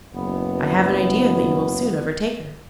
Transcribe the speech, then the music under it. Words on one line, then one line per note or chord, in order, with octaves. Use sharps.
'I have an idea that you will soon overtake her.'
F#1 B3